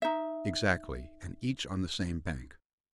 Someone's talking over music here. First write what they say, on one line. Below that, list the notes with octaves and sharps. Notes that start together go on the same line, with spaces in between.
"Exactly, and each on the same bank."
D#4 E5